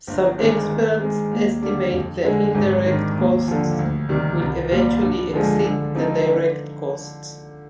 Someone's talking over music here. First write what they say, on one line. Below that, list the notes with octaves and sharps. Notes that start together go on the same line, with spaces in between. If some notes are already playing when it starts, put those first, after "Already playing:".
Some experts estimate the indirect costs will eventually exceed the direct costs.
G1
G2 D#3 G#3 C4
D#3
G#3 C4
D#2
D3 G3 D4
F2
D3 G#3
G#1
G2 D#3
D#2
D3 F3
D2
C3 D#3 G3
C2
A#2 G3
G2
D3 F3 G#3
D3
F3 C4 D#4
D3